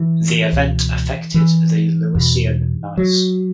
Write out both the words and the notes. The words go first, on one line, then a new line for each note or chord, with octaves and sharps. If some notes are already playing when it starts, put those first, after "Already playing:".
The event affected the Lewisian gneiss.
Already playing: E3
C#2 B2
E3
E2 B2
F#3